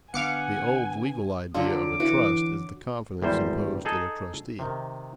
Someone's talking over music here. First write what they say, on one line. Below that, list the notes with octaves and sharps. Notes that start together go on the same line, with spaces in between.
The old legal idea of a trust is the confidence imposed in a trustee.
D3 B3 F5 F#5 G#5 D6 C#7
D3 F#3 F4 D6
E3 F#4
G#1 E2 G3 C5
D#4 G#4 A4
C3 D#3